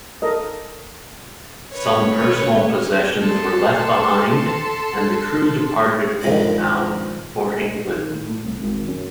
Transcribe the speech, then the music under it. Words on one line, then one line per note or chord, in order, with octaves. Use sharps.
Some personal possessions were left behind and the crew departed Holetown for England.
A4 A#4 D#5
B4 C#5
A4 C6
G2 D#3 F3 G#3 C4 D4
D#3
A2
A2
C2
G#1
F#2